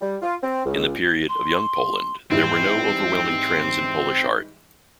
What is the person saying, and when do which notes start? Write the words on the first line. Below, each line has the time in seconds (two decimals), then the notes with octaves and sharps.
In the period of Young Poland there were no overwhelming trends in Polish art.
0.01 G3
0.22 F4
0.43 C4
0.66 C#2
1.29 C6
2.31 G#2 E3 G3 C4